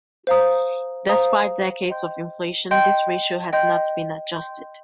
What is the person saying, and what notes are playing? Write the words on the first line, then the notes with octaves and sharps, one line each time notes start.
Despite decades of inflation, this ratio has not been adjusted.
C5 F5 A#5 D#6
C5 F5 A#5 D#6
D#5 G5 C6 G6
D#5 G5 C6 G6
D#5 G5 C6 G6
D#5 G5 C6 G6